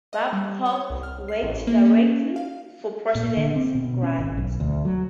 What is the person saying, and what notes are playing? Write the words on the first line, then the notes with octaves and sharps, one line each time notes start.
Babcock worked directly for President Grant.
D#5
G3
C#5
C2
F6
C7
A1
A#3
C#4
F5
A#2
D3
C4
B2
C#4
G#1
B1
D2
F#3